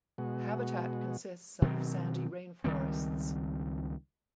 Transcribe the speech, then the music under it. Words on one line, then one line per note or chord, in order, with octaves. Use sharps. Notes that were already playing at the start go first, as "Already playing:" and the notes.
The habitat consists of sandy rainforests.
B2 G#3 F#4
B2 D#3 F#3 C4
C#2 D#3 G3 C4